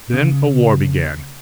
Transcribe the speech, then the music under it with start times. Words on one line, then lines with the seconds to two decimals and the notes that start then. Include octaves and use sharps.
Then a war began.
0.14 C#3